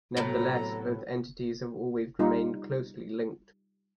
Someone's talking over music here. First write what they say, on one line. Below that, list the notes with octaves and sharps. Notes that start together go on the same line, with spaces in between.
Nevertheless, both entities have always remained closely linked.
A2 C3 F#3 B3 A4 A#5
G3 D#4 F4